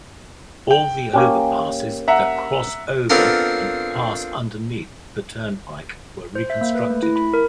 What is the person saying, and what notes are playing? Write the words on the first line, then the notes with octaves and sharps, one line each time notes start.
All the overpasses that cross over and pass underneath the turnpike were reconstructed.
G5
A#3 C#4 G4
E5 F#5 A#5
B3 C4 D4 F4 A4 A#4
C5
E5
A#3
B4
A3
E4
B5
A#4